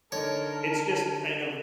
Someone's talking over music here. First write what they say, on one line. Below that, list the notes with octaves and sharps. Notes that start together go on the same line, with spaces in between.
it's just kind of
D3 D#4 A#4 C#5 A5